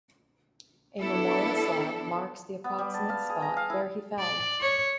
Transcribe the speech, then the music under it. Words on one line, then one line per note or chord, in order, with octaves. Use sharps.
A memorial slab marks the approximate spot where he fell.
B3 D4 E4 A4
B3
G3
A5
F5
G#4
A#5
F5
E4
D5
C#5